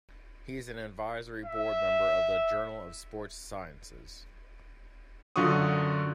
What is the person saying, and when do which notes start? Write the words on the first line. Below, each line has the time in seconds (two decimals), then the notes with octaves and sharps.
He is an advisory board member of the "Journal of Sports Sciences".
1.45 E5
5.36 F#2 D3 F4 F#4 C#6 D#6